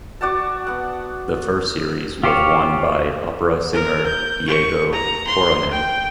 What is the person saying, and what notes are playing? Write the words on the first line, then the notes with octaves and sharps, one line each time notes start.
The first series was won by opera singer Diego Coronel.
F#4 D5 F#5 A5
B3 F#5
F4 G4 C5 C#5 F5
A#4
G6
C#6
A#5
C6
G5